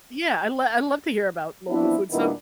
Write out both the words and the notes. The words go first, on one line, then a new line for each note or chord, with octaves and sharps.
Yeah, I lo I love to hear about local food, so
F3 B3 C4 D4 E4
A#2 D#3 G3 B3 D4 E4